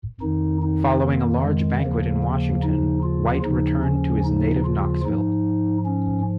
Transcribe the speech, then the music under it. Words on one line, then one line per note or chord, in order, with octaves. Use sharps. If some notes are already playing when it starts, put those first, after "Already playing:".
Following a large banquet in Washington, White returned to his native Knoxville.
F2 D#3 D#4
D#4
A#3
G#3
D#2 C#3 F3 A#3
A#3
D#4
F4
D#2 C#3 F3 D#4
C#4
D#4
F4
G#2 F3 D#4
C#4